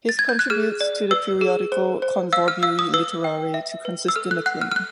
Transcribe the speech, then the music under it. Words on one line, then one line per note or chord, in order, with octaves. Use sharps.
His contributes to the periodical "Convorbiri Literare" to consistent acclaim.
A6
G#6
G6
F#6
G#4 F6
D5
B4 E6
G#4
C5
C5
F5 E6
F6
F5 E6
D#6
B4 E6
G5
E5
B4
E6
A4 F6
F#6
F#5 F#6
F6
F6
F#6